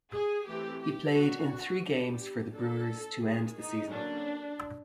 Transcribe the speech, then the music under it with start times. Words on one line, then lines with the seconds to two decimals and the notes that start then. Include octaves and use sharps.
He played in three games for the Brewers to end the season.
0.12 G#4
0.46 E3 A3 C4 G4
0.81 G4
1.15 F#3 A#3 D4 F#4
1.84 G3 B3 D4 G4
2.53 F#3 A#3 D4 A4
3.22 D#3 G#3 C#4 G#4
3.57 D#4
3.91 D3 F#3 A#3 C#4 D4